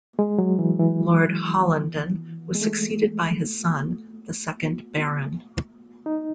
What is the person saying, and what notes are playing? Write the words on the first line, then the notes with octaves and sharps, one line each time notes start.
Lord Hollenden was succeeded by his son, the second Baron.
G#3
F#3
E3
E3
G#3
A3
D#4